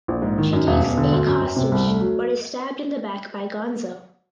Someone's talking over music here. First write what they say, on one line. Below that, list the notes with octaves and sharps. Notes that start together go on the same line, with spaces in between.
She takes Ake hostage but is stabbed in the back by Gonzo.
A#1
G#2
D#3
F#2
E1
E1
D3
D2
F#2
F#2
C3
C2
A3
F#3